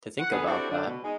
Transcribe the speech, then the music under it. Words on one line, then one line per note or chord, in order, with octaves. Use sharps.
to think about that.
F#5
D2 B3 G#4
C4 D4 E4 F#4 G4 A4
D3 D4
B2
G#3 D#4